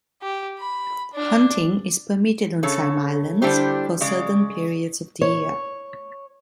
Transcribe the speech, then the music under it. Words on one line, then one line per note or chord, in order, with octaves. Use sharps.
Hunting is permitted on some islands for certain periods of the year.
G4
B5
D4
C#3 A4 C#5
D3 G3 D4 E4 G4 C5
C#3 G#3 D5
C#5